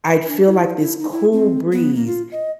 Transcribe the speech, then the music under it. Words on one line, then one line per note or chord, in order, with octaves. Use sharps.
I'd feel like this cool breeze,
D4
E4
E4
D#4
E4
C4
B3
A#3
F4
D#5